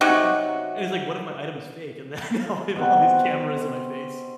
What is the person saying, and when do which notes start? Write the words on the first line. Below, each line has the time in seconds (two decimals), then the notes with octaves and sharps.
I i it's like, what if my item is fake and then I have all these cameras in my face.
0.01 C3 F#3 D#4 F#4
2.76 B2 C4 F#4